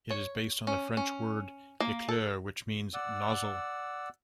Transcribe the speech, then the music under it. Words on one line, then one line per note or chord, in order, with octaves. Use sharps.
It is based on the French word gicleur, which means "nozzle".
C#5
C#4
C#4
A#3
A4
D5 F#5 E6